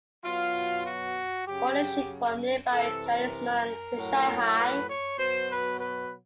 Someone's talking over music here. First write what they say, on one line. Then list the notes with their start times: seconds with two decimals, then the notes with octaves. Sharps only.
Coal is shipped from nearby Chinese mines to Shanghai.
0.24 B2 F#3 F4
0.85 F#4
1.47 C#3 F#3 G4
2.71 C3 E3 A4
3.03 A#4
3.95 A2 F#3
4.58 B4
4.89 C#5
5.18 B2 F#3 C5
5.50 B4
5.81 B4